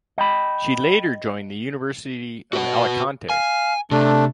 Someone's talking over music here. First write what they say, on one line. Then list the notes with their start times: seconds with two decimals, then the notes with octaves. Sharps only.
She later joined the University of Alicante.
0.18 D#5 G5 B5
2.53 F#4 B4 F#5
3.30 F5 G#5
3.91 C3 A3 D4